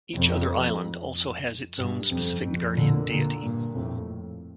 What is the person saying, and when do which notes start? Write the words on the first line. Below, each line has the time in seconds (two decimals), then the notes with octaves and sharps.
Each other island also has its own specific guardian deity.
0.15 F2
1.78 G2
2.11 F2
2.44 F2
2.76 A#2 D3
3.09 A#2 D3
3.41 G2 A#2
3.74 F2 A2